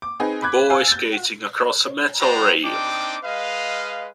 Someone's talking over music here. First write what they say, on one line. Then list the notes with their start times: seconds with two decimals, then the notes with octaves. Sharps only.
Boy skating across a metal rail.
0.02 D6
0.20 C4 D#4 G#4 B4
0.42 B5 D6 F#6 G#6
0.70 F5 G#5 E6
0.88 G6 A6
2.21 G#3 F#4 C5 D5 G5 A#5
2.65 C4 D4 D#4 G5 D6
3.24 G#3 B4 D#5 F5